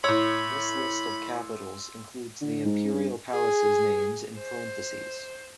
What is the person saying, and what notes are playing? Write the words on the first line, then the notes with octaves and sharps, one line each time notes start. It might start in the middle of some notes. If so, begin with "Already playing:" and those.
This list of capitals includes the Imperial palaces names in parentheses.
A2 C#5 B5 C6 E6
D3
G#2
G2
G#4
C5